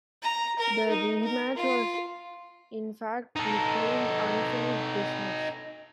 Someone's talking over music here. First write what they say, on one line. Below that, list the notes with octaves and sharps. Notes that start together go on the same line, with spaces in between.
The rematch was, in fact, nicknamed "Unfinished Business".
A#5
A#4
D#4
A#4
F4
D#4 A4